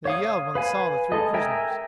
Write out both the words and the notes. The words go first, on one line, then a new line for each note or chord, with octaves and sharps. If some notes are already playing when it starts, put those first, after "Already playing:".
They yelled when they saw the three prisoners.
C#5 F5 D#6
B4 F5 G#5
G#3 A4 D#5
A#4 E5 G5 G#5 A#5